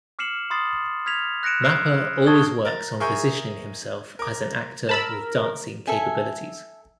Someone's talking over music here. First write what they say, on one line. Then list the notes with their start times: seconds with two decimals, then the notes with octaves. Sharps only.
Mapa always works on positioning himself as an actor with dancing capabilities.
0.19 D6 F6 C7 C#7 E7 F#7
0.50 B5 C6 D#6 A6 C7
1.06 F6 G#6 B6 F7
1.43 F#6 A#6 C#7 D7 E7
1.62 E6 F6 A#6 C7 D7
2.26 A5 C#6 D#6 G#6 A6 G7
2.65 A#4 A6
3.00 G#4 A#4 E5 G#5 C#6 G6
4.19 A#4 D6
4.89 A#4 A5 B5 E6
5.87 A4 E5 G#5